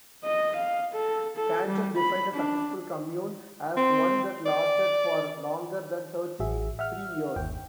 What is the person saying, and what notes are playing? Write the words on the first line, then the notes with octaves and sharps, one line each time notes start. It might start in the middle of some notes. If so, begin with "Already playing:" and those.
Kanter defined a "successful" commune as one that lasted for longer than thirty-three years.
D#5
F5
A4
A4
G3
B5
D4
C4
D5
A1 F#4 G#4 E5
E5 F#5 F6
G1 D#2 G5